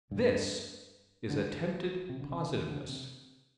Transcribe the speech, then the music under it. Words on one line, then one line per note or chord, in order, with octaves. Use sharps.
This is attempted positiveness.
G2
D3
C3
D3
C3
D#3
D3
C3